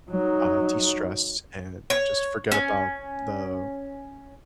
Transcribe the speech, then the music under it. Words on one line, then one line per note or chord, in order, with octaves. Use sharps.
uh, de-stress and just forget about the
F#3 D#4
C#5
C#4